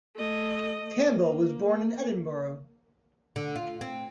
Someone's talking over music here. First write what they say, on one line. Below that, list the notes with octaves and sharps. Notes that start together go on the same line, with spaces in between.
Campbell was born in Edinburgh.
A3 D#5
A#3
D3
F4
C4